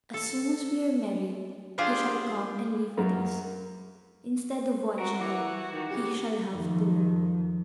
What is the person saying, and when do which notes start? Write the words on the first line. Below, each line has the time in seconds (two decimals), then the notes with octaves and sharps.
As soon as we are married, he shall come and live with us, instead of one child, he shall have two.
0.14 A4
1.78 D4 F4 G4 G#4 C5
2.97 F#2 A#3 A#4
4.99 F#4 A#4
5.21 E3 F#4 D6
5.72 D#3
5.90 C#3 G4
6.51 F2 D#3